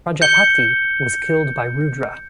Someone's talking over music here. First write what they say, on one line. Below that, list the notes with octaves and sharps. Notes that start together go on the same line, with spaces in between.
Prajapati was killed by Rudra.
G6 C#7 G7